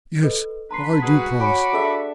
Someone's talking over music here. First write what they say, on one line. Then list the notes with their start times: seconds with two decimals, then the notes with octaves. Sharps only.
Yes, I do promise.
0.23 A4 B4 D#5
0.71 D4 B4 A#5 C6 C7
1.03 G3 F#4 G#4 B4
1.40 C#5 G#5 B5 D6
1.73 D4 G#4 A4 E5